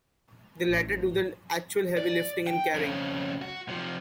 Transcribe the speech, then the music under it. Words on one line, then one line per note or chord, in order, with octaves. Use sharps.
The latter do the actual heavy lifting and carrying.
A1
D5
G5
F2 C#3
F#4
C3 F3